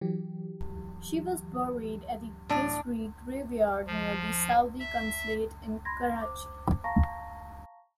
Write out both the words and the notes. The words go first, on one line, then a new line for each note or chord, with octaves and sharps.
She was buried at the Gizri Graveyard near the Saudi Consulate in Karachi.
E3 F#3 G4
A2 D4
F3
E5
B5 C6 G#6 A#6
C5 D6
F5 A5 A#5 C#6 A#6